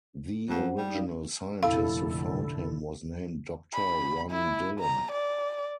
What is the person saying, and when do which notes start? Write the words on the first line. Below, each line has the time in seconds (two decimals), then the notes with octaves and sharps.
The original scientist who found him was named Doctor Ron Dillon.
0.49 F2 C5 F#5
0.77 G3 D5
0.90 D#4 D5 F5
1.63 F1 A#1 D3 E4 A4 F5
3.73 B5
4.31 E4
4.80 A#5
5.12 D5